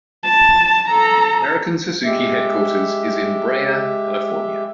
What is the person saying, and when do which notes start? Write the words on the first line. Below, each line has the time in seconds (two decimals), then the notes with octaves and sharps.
American Suzuki headquarters is in Brea, California.
0.24 A5
0.88 A4 A#5
2.04 G#3 G4 E5